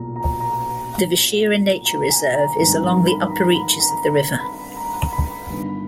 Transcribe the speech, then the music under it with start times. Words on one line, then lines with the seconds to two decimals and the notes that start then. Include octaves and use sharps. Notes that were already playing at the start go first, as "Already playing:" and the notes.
The Vishera Nature Reserve is along the upper reaches of the river.
Already playing: B1 A#2 A#5
0.16 A#5
0.40 A#5
1.86 A#5
2.10 G#5
2.35 A#5
2.58 G#1 G2 D#3 A#5
2.83 A#5
3.07 B5
3.31 A#5
3.55 B5
3.80 A#5
4.40 B5
4.76 A#5
5.13 B5
5.49 G1 G2 D#3 B5